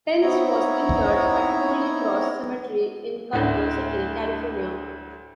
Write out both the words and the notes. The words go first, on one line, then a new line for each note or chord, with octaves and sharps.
Penn's was interred at Holy Cross Cemetery in Culver City, California.
B3 C4 D#4 E4 C#5 A#5
D2 A2